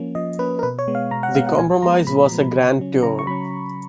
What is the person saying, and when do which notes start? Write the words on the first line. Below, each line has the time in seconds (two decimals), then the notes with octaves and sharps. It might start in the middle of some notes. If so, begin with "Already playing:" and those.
The compromise was a Grand Tour.
Already playing: F3 A#3 C#4
0.15 F3 D#5
0.39 A#3 C#4 B4
0.59 A#4
0.63 B2 B4
0.79 C#5
0.88 G#3 B3
0.95 F5
1.11 B2 A#5
1.23 F#5
1.35 G#3 B3 F5
1.47 F#5
1.58 A#2 G#5
1.82 F3 G#3 B3 A#5
2.07 A#2 B5
2.31 F3 G#3 B3
2.55 C#3
2.79 F#3 C#4
3.03 C#3 A#5
3.19 C#6
3.27 F#3 B5
3.31 C#4